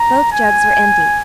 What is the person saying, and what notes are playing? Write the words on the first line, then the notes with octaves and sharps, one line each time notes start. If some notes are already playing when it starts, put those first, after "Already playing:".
Both jugs were empty.
Already playing: A#5
G#5